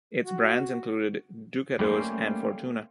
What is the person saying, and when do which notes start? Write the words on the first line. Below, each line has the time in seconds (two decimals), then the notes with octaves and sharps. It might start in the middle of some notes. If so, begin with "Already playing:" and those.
Its brands included Ducados and Fortuna.
0.23 F#4
1.79 G3 A3 A#3 C#4 C5